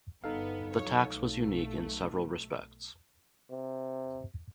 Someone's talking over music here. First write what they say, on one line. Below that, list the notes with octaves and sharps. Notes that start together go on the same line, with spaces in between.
The tax was unique in several respects.
G1 B3 D#4 A4 F5
F#3 C#5
B1 A3
C3